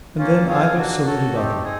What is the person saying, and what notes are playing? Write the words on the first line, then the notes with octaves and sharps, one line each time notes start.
And then either saluted other.
A#3 C#4 F4
C4 F4 G#4 C#5 F5
A#3 D4 F#4
F#4 A4 C#5
A3 C4 D#4 G4
C4 D#4 G#4